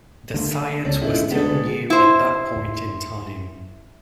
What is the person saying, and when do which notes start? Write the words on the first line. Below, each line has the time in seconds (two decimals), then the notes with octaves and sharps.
The science was still new at that point in time.
0.34 D3 A3 A#3
0.85 C#2 C#4 A4 D5
1.02 C#2 B2 D3 G#3 D#4 E4 A4
1.31 D2 B3 G#4 A4
1.90 E4 C5